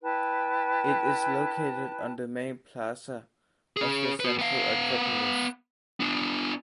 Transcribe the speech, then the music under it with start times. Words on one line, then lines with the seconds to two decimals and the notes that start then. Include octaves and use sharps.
It is located on the Main Plaza of the Central Acropolis.
0.03 E4 B4 G5 A5
3.77 C#4 G#4
4.20 F#4 B4
4.39 B3 F5
6.00 B3 D4